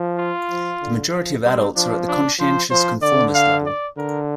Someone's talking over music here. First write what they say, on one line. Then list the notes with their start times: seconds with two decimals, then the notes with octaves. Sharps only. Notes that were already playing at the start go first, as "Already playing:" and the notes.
The majority of adults are at the conscientious-conformist level.
Already playing: F3
0.18 F4
0.50 F3
0.82 D3
1.13 F3
1.45 G3 C4
1.76 F3 D4
2.08 D4
2.39 F3 C5
2.70 F3 C5
3.02 D3 D5
3.34 F5
3.65 D5
3.97 D3 A#4